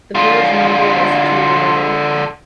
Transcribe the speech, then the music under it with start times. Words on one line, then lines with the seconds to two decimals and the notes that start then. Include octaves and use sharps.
The village Maggia is situated on the river.
0.15 D3 F4